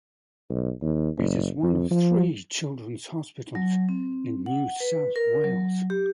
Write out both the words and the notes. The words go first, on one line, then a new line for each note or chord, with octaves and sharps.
It is one of three children's hospitals in New South Wales.
B1
D#2
F#1
F2
F3
F#3
C4
F#5
B4
A#4
F#3
G4